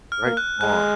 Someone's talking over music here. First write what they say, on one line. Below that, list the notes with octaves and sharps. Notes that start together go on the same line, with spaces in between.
Right on.
F6
A#3
F#6
G#3 F#6